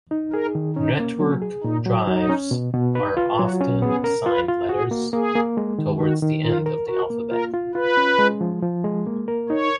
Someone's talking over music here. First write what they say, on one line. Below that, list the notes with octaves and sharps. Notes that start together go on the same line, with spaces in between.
Network drives are often assigned letters towards the end of the alphabet.
D#4
G#4 A#4
D#3
C#4 D#4
A#3
F#3 C#4
G#4
A#2 D#4
F#3
F#3 D#4
C#4
B2
B2
D#4 B4
F4
F#3 F#4
C#4
B3 G#4
A#4
F4 B4
F4
F#4 G#4
A#3
A#3 G#4
A#3
G#3
D#3
D#3 F#4
D#3
F4 A#4
A#4
F#4 A#4
A#3
F4 A#4
F4
F4 B4
C#4
G#3
F3
F3
G#3
A#3
A#4
D#4 C#5